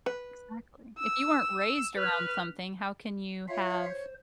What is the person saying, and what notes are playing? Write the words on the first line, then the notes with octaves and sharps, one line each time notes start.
Exactly. If you weren't raised around something, how can you have
B4
E6
B4 F6
F4 C#5 E5 F5
C5